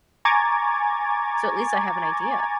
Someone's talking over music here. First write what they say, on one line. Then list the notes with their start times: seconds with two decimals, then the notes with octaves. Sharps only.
so at least I have an idea?
0.25 G#5 A#5 C#6 D6 G#6 A6